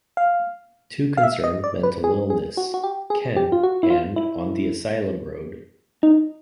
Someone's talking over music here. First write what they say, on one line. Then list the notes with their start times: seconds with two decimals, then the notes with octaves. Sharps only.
Two concern mental illness - "Ken" and "On the Asylum Road".
0.17 F5
1.17 F5
1.23 E5
1.44 D#5
1.64 D5
1.83 B4
2.04 G#4
2.30 G#4
2.57 F#4
2.74 F#4
2.84 G4
3.10 G#4
3.37 G4
3.52 F4
3.63 F#4
3.83 E4
3.90 F4
4.16 E4
6.03 D#4